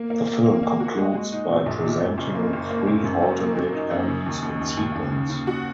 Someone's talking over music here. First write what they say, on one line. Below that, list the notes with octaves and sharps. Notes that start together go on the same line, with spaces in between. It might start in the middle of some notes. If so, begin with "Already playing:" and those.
The film concludes by presenting three alternate endings in sequence.
Already playing: A#3
A#3
A#3
A#3
A#3
F#4
G#3
G#3
D#4
A#2
A#1
A#2
F#2
F#1
A#3
F#1
A#3
F#1
F#2
F#3
A#3
F#3
D#4
F#2
C#3
D#2
D#2
D#2
D#2
D#2
C#3
C#3
F#4